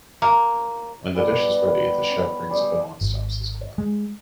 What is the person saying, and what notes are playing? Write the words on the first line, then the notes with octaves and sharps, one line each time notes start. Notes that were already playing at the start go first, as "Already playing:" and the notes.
When the dish is ready, the chef rings a bell and stops his clock.
A#3
E3 G3 B3
G5
C#4
G3 G#4 B5
G#1
G#3